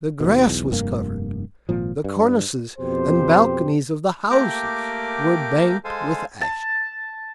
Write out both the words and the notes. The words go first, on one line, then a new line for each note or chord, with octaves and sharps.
The grass was covered; the cornices and balconies of the houses were banked with ashes.
D#2 B2
B1 E2
F1 G2 A#3
G#1 A#2 F3
G2
F2 B2 C4 G4 C5
A3 A#3 G4 A#4 G5 D6
G#3 A4 C5 F5 G#5
A5